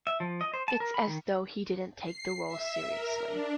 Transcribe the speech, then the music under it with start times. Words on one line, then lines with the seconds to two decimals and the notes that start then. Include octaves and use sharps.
It's as though he didn't take the role seriously.
0.07 E5
0.20 F3
0.41 D#5
0.54 C5
0.68 A5
0.80 A#4
0.94 B5
1.07 D#3
2.03 C7
2.48 E5
2.89 A#4
3.26 D4